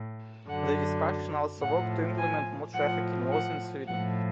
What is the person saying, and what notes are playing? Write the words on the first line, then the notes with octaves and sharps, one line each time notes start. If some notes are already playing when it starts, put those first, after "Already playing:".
The discussion also worked to implement more trafficking laws in Sweden.
Already playing: A2
F#2 D3 F#3 F#5
A2 F3 F#5
G#5
A2 F3 F#5
F#5
A2 F3 F#5